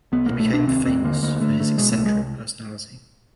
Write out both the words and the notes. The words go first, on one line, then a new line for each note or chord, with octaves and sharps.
He became famous for his eccentric personality.
C2 B3
B2 A#3
A3
C2 D4
D#2 C4
D#2 C4
D3 A#3
D2 A#3
D3 A3
D3 A3
B2 G#3
A3
C2
G#3
C2